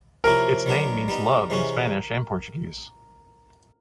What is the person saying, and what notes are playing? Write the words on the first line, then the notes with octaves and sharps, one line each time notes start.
Its name means "love" in Spanish and Portuguese.
C3 F3 A#3 C#4 E4 A#4
D#3 F#3 B3 D4
G3 B3 D#4
C3 E3 G#3 C#4 F#4